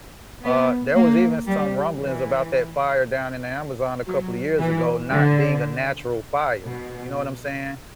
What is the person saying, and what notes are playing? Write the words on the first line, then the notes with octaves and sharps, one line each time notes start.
uh, there was even some rumblings about that fire down in the Amazon a couple of years ago not being a natural fire, you know what I'm saying?
B3
A#3
G3
E3
F#3
E3
D3
B2